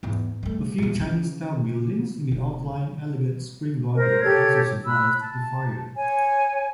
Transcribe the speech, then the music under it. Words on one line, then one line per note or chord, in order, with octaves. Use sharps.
A few Chinese-style buildings in the outlying Elegant Spring Garden also survived the fire.
E2 G#2
G3 A3
E2 A#2
C#3 F3
E1
A#4 C5
G4 A4 C#5 G#6
B5 E6 F#6
A5
C#5 G#5